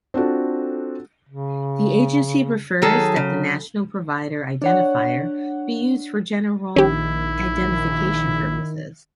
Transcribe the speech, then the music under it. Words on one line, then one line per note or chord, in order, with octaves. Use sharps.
The agency prefers that the National Provider Identifier be used for general identification purposes.
C4 D4 F4 F#4 A4
C#3
D#3 F#3 G#4 A4
C#3
D4 C#5 F#5
A#1 D#3 C#4 E4 G4